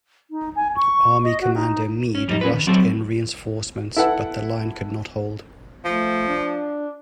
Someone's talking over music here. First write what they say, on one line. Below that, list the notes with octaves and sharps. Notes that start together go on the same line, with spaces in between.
Army commander Meade rushed in reinforcements, but the line could not hold.
D#4
G#5
C#6
D#5
F#4
D#4
C#4
F2 G3 D#4
C#4 F#4 B4
D#3
F#3 C4 D4 F#4 A4
E4 A4 B4 F#5
F3 A3
D4